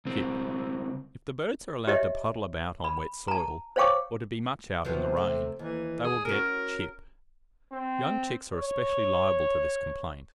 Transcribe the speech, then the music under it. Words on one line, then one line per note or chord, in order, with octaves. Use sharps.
CHIP.--If the birds are allowed to puddle about on wet soil, or to be much out in the rain, they will get "chip." Young chicks are especially liable to this complaint.
C#2 C4
G4 C#5 D#5 E5
B5
A5 A#5
C5 C#5 F5 G5 C#6 D6
C3 F3 F#3 B3
A3
D#2 E3
G#4
C#4 F#4 A#4
C4
C#5